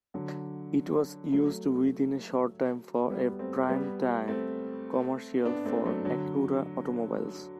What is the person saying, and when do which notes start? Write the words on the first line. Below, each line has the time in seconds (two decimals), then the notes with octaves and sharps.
It was used within a short time for a prime-time commercial for Acura automobiles.
0.14 D3 F#3
1.32 F#3 A3
3.10 G3 B3
3.39 A3 C4
3.68 G3 B3
4.28 A3 C4
5.45 B3 D4
5.65 A3 C4
5.85 F#3 A3
6.05 D3 F#3